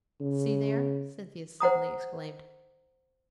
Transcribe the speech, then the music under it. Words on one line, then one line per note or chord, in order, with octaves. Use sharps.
"See there!" Cynthia suddenly exclaimed.
C#3
C5 F#5 A#5 D#6